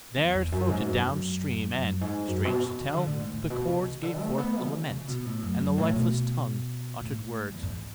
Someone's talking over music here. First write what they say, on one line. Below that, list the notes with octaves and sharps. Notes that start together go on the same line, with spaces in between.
There it floated down stream and, strange to tell, the chords gave forth a lament, and the lifeless tongue uttered words.
E2
E2
F#2
G#2
F#2
F#2
F#2
G#2
F#2
B2
C#3
D3
A2
G#2
A2
B2
C#3
C#3
D3
A3
B3
C#3
C#3
B2
A2
F#2
F#2
A2
B2
A2
F#2
E2
G#2